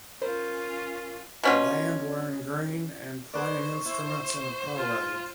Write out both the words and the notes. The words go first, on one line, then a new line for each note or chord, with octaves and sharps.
A band wearing green and playing instruments in a parade.
C#4 F4 A#4 C5 B5
B2 C#4 F4
G#4 B4 C5 D5 C#6
E4 C5
F4